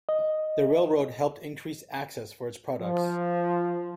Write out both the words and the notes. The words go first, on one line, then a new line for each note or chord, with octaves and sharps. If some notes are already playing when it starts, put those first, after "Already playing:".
The railroad helped increase access for its products.
D#5
F3